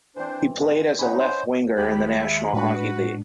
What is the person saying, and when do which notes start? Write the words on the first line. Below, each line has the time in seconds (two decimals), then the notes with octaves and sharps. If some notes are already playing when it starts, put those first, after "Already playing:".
He played as a left winger in the National Hockey League.
0.16 E3 C4 D4 C5
0.54 G#2 G#3
0.99 C3 C#4 D#4 F#5 G#5 B5
1.19 C5 D#5
1.76 D#2 G#3 G4 B5
2.18 E5
2.53 A2 G#3 D4 F#4 B4